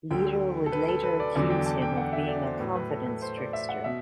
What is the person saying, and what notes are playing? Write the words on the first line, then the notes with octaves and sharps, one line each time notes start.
Lieder would later accuse him of being a confidence trickster.
D2 D3 F#3 G5
A4
B4
A4
B4
D5
E2 D3 F#3 D5
G5
A5
G5
F#5
E5
D5
C5
A2 F#3 B4
B4
A4
B4
C5
D5
E5
F#5
B2 E5